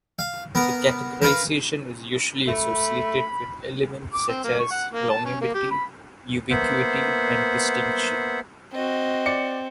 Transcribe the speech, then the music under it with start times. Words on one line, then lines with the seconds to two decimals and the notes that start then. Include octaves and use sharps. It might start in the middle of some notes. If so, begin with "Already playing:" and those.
The categorization is usually associated with elements such as longevity, ubiquity, and distinction.
0.19 F5
0.55 B3 A#4
1.22 A#4 B4 F5
2.48 A3 B5
4.13 D6
4.28 C4
4.44 A#3
4.59 C#6
4.71 F#5
4.93 A#3
5.10 A5
5.25 C#4
5.41 A#3
5.55 G4
5.71 B5
6.50 A#3 B3 C5 E5 F#5
8.74 C4 F#4 D#5
9.26 D5 C#7